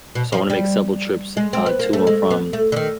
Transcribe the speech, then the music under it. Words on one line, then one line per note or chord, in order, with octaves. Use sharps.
So, I wanna make several trips, uh, to and from,
B2
F3
G3
G#3
C4
B3
A#3
A3
G#3
B3
A3
D3
D#3